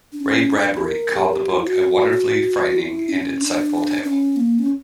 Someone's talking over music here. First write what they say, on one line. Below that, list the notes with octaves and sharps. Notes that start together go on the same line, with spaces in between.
Ray Bradbury called the book "a wonderfully frightening and insightful tale".
D4
C#4
D4
G4
A#4
G4
A#4
G4
F#4
E4
F#4
F#4
E4
C#4
D4
C#4
D4
C#4
A#3
C#4